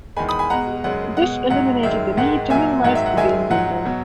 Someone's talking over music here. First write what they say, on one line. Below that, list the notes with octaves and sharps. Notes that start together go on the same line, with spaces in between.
This eliminated the need to minimize the game window.
E2 D#3 G#3 G#5 B5
B5 D#6
G#5 B5
B2 G#3 F#5 A#5
F#2 C#3 G#3 F#5
B2 G#3 F#5
G#2 F#3 F#5
F#2 D#3 G#3 E5
G#2 D#3 G#3 F#5
A#2 F#3 E5 G#5
G#2 D#3 F#3 F#5
E5
F#5
F#2 D#3 G#3 E5 G#5
G#2 F#3 F#5
B2 F#3